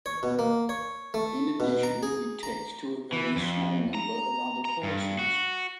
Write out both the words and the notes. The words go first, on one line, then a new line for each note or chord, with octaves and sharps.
In addition we text to a very small number of other persons.
C#5
B2
A#3
C#5
A3
B2
A#5
G#4
A#5
E3
F2
A#5
A#5
G2
F#4